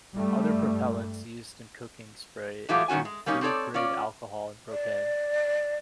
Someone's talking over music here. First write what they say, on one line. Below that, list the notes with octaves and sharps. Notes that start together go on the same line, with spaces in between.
Other propellants used in cooking spray include food-grade alcohol and propane.
G2 G3 A3
E3 F#3 G#3 A3 F4 G4
G2 D#3 C#4 F#4 G#5
G#3
G3 A#3 C#4 D#4
C4 D#4 A4 C#5 D5
C#4 F4 D5
D5